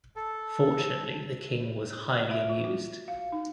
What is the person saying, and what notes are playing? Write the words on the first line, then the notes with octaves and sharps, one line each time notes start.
Fortunately, the King was highly amused.
A4
E5
F4
F#4
F5
D#4